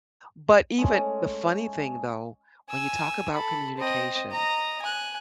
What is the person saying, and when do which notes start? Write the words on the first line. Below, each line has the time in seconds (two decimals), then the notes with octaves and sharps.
But even the funny thing, though, when you talk about communication,
0.78 G#3 A3 C#4
2.70 G#5 E6
3.34 A4 B5
3.77 C4 D#5
4.32 D#5 A#5
4.82 G#5 F#6